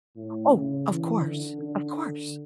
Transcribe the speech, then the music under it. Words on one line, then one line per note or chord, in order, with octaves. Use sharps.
Oh, of course, of course.
A2
C#3
E3
D3
D3